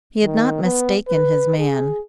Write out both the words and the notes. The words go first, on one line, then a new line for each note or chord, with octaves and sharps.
He had not mistaken his man.
D#3
B3
B4
G#4